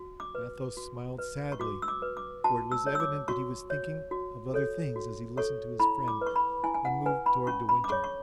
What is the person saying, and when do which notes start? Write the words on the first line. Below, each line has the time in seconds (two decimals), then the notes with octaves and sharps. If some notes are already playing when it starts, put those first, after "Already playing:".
Athos smiled sadly, for it was evident that he was thinking of other things as he listened to his friend and moved toward De Winter.
Already playing: F#4
0.20 D6
0.35 B4
0.77 F#4
1.18 B4
1.52 C#6
1.60 F#4 D6
1.82 E6
1.88 D6
2.02 B4
2.17 D6
2.44 F#4 A5
2.72 E6
2.86 C#5
2.95 E6
3.00 D6
3.28 F#4 C#6
3.70 C#5
4.11 F#4
4.54 A4 C#5
4.96 F#4
5.37 A4 C#5 C#6
5.80 E4 B5
6.08 D6
6.21 B4
6.26 C#6
6.36 B5
6.63 E4 G#5
6.74 G#5
6.85 F#5
7.06 B4 G#5
7.26 B5
7.47 C#4 C#6
7.69 B5
7.84 D6
7.89 G#4 C#5 C#6
8.04 C#6